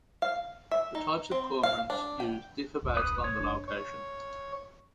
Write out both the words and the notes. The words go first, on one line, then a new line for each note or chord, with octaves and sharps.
The types of cormorants used differ based on the location.
F5
E5
D#4
C4
F5
D4
G5
E1 C#2 G#2
B4 D#6
C#5
F#1 D4
C#5